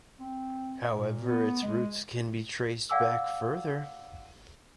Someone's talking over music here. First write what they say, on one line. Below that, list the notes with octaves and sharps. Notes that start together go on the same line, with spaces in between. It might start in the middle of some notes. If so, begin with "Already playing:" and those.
However, its roots can be traced back further.
C4
A#2
B3
G#3
D5 F5 F#5 G#5 D6 E6